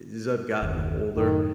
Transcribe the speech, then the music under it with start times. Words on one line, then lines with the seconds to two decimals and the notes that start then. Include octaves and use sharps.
as I've gotten older,
0.62 F#1 D#2
1.17 F#2 A2 D#3